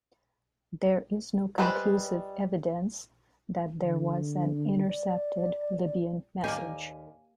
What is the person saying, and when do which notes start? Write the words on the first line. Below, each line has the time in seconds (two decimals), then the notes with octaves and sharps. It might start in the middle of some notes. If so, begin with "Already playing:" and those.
There is no conclusive evidence that there was an intercepted Libyan message.
1.58 G3 G#3 G4 B4 C5
3.81 D3
4.86 D5
6.44 D#2 A#3 G4 A#4 D5 G#5